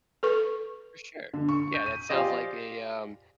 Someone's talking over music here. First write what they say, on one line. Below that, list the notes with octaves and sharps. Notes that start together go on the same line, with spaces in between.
For sure. Yeah, that sounds like a, um,
A4 B4 C#6
D3
C#6
G6
D#7
F4 G4 G#4 C5 D5 D#5